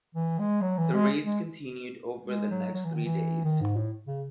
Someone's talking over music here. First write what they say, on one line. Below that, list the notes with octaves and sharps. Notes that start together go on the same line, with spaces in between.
The raids continued over the next three days.
E3
G#3
F#3
E3
G#3
G#3
G#3
F#3
F#3
E3
D#3
E3
D#3
G#2
A2
C#3